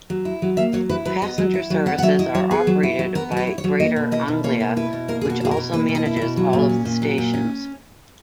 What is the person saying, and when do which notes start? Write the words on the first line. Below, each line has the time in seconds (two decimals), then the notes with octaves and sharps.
Passenger services are operated by Greater Anglia, which also manages all of the stations.
0.10 F#3
0.25 E4
0.42 F#3
0.57 A#3 E5
0.73 F#3 C#5
0.89 E4 B4
1.05 F#3 B4
1.22 B3 D#5
1.38 F#3
1.54 E4
1.70 F#3
1.86 B3 F#5
1.98 F#5
2.02 F#3 E5
2.19 E4 D#5
2.35 F#3 C#5
2.51 B3 G#4
2.67 F#3
2.83 E4
2.99 F#3
3.15 B3 A#4
3.31 F#3
3.37 B4
3.47 E4
3.58 C#5
3.64 F#3
3.80 A#3 D#5
3.96 B2
4.12 E4 D#5
4.28 B2
4.44 A#3 C#5
4.60 B2
4.76 E4 B4
4.93 B2
5.08 A#3 A#4
5.21 G#4
5.25 B2 F#4
5.41 E4 G#4
5.51 A#4
5.57 B2
5.73 A#3 B4
5.89 B2
5.95 D#5
6.05 E4
6.16 E5
6.22 B2
6.37 F#3
6.53 A#2
6.69 C#4
6.85 A#2
7.02 F#3
7.18 A#2
7.34 C#4